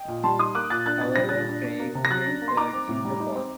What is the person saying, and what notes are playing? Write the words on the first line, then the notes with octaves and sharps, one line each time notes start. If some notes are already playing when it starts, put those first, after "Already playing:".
However Craig came third in the poll.
Already playing: D#5 G5
A#2
G3 A5 C6
D#4 C6 D#6
A#3 D6 F#6
A#2 F#6 A6
D4 F#6 A6
A#2 A6
G3 A#6
A#2 F#6 A6
D4
D4
A#3
C3
A#6
F#3 F#6 A6
D4
A#3
C6
D#4 A#5 D6
C4
A2
G3
D#4
C4